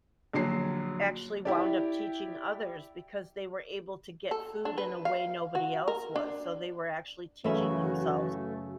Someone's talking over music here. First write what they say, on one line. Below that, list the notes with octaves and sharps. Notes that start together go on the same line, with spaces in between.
actually wound up teaching others because they were able to get food in a way nobody else was, so, they were actually teaching themselves
A#1 D3 F#3 C7
E4 G4 D5
A4
D4
B4
F5
F#4
A#4
D4
F#2 C#3 E3 A3 C#4 F#4 E5